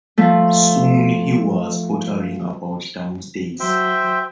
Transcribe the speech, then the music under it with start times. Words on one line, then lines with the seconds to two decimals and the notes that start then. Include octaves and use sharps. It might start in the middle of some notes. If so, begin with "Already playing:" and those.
Soon he was pottering about downstairs.
0.18 F3 A3
3.60 F#3 C5 E5 G5